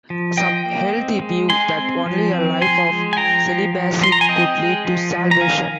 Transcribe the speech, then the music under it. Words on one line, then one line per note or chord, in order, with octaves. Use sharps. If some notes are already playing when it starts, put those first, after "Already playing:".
Some held the view that only a life of celibacy could lead to salvation.
F3
F3 D#5 G5
A#3
C4
G#3
G#3 G#5 C6
C4
F3
C4
F3 G#5 C6
G#3
G#5
F3 G5 A#5
F3
F3
F3 C6
A#5
G#5
C4 D#5 G5
G#3
F3
F3
A#5
D#3 F5 G#5